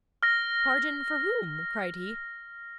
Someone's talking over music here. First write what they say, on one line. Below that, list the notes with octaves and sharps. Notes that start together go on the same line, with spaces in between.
"Pardon for whom?" cried he.
F6 A#6